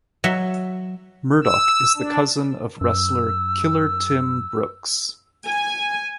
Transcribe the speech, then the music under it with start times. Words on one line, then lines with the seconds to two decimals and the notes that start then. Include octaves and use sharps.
Murdoch is the cousin of wrestler Killer Tim Brooks.
0.24 F#3 E5
1.44 E6
1.96 D4
2.81 F#2 E6
5.47 G#5